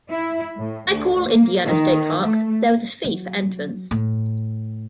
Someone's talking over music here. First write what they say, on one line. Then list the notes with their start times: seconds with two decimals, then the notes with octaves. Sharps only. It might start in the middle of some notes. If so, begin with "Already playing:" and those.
Like all Indiana state parks, there is a fee for entrance.
0.11 E4
0.58 A2
0.89 D2
1.26 A#3
1.66 D#3
2.23 A3
3.04 F#3
3.91 A2